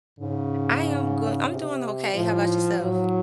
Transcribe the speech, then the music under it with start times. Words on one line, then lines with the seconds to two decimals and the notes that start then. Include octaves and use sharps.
I am goo I'm doing okay. How 'bout yourself?
0.19 G#2 C#3
1.49 C3
2.14 A2 F3
2.80 A2 F#3